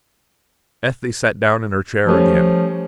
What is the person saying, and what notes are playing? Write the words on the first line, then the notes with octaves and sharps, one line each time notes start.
Ethne sat down in her chair again.
F3 G3 A3 C#4